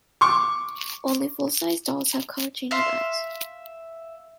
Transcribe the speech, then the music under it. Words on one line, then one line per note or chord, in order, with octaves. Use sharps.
Only full-sized dolls have color-changing eyes.
C#6 D6
E5 F5 C6